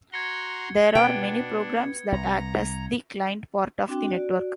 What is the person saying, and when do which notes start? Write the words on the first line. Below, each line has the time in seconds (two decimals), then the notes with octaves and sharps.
There are many programs that act as the client part of the network.
0.12 F#4 A#5 C6 G#6 C#7 G7
0.95 B2 B3 D4 G5
2.12 C2 A#5
3.88 C4 D4 F#4 G5
4.08 F#4 D5